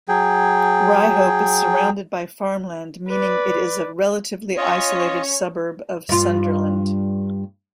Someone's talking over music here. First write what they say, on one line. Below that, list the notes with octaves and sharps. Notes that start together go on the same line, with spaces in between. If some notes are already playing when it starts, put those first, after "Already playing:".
Ryhope is surrounded by farmland meaning it is a relatively isolated suburb of Sunderland.
F#3 G#4 G5
B4 D5
C#4 F4 C#5 D#5
G2 F4